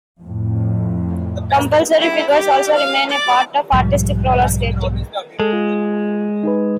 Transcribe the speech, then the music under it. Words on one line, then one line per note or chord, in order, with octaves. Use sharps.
Compulsory figures also remain a part of artistic roller skating.
F2 A2
E4
G4
F5
D5
B1 G#2 F3 G3
G#3 A4
F4
D#4 G#4 B4